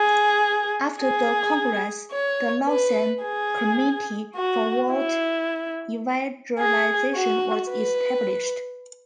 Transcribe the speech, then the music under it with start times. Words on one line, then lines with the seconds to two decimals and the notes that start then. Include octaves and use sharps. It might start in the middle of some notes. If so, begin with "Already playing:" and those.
After the congress, the Lausanne Committee for World Evangelization was established.
Already playing: G#4
1.00 G#4
2.12 C#5
2.67 B4
3.23 G#4
4.36 F#4
4.92 E4
6.59 G#4
7.15 F#4
7.71 B4